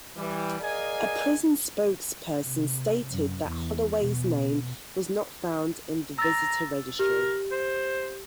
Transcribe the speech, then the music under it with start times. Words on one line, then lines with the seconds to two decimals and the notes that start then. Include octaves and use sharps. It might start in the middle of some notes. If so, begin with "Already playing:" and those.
A prison spokesperson stated that Holloway's name was not found in the visitor registry.
0.17 E3 G3
0.60 G#4 A#4 D5 D#5 F5 G#5
2.44 C3
3.10 F#2
3.45 E2
3.98 B2
6.18 A#5 E6 A6
6.99 G4 A#4
7.52 C5